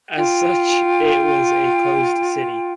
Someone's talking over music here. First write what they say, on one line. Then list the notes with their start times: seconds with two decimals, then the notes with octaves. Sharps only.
As such it was a closed city.
0.17 F4 G5